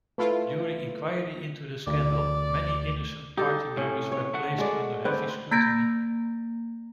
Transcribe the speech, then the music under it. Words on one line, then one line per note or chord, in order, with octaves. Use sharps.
During inquiry into the scandal, many innocent party members were placed under heavy scrutiny.
A3 E4 F4 B4
D2 D5
D#4 G4 A4
A2 C3 C#4
C#5
A3 F#4 F#5
G#3 D5
C4 B4 D5
A#3 A#5 G6 A6 A#6 D7